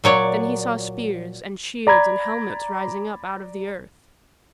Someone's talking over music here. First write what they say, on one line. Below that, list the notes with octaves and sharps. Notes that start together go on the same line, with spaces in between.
Then he saw spears and shields and helmets rising up out of the earth.
A#2 F#3 C#5 D5
D5 A#5 B5 G#6